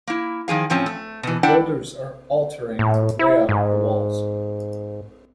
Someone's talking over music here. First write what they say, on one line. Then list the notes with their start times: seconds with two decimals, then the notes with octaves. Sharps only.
The builders are altering the layout of the walls.
0.07 A#3 E4
0.48 D#3 F3 G#4 F5
0.70 A2 F3 C4 C#4
0.86 A3
1.23 B2 E3
1.43 D4 E4 D5 F#5 G5
2.79 A2
3.19 E4
3.49 G#2